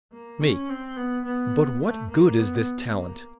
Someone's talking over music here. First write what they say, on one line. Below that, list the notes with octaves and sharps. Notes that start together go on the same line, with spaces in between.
ME: But what good is this talent?
A#3
C#4
C4
B3
B3
A3
A#3
B3
A#3